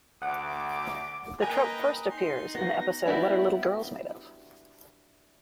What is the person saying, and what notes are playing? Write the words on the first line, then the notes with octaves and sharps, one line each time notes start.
The trope first appears in the episode What Are Little Girls Made Of?
D2 F#5 D6
A#3 B4 D#5 G5 G#5 A#5
D#4 C6
B3 F#4 A#6
B3 D4 E4 F#4 G4